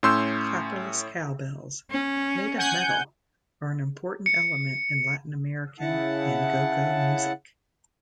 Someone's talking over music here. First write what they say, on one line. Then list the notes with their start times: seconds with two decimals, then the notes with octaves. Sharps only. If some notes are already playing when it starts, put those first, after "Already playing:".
"Clapperless cowbells" made of metal are an important element in Latin-American and go-go music.
0.03 A2 C#4 C6 E6 G6
1.90 C#4
2.58 F#5 G#5 G6
4.26 C#7
5.80 C#3 E4 F#5 A5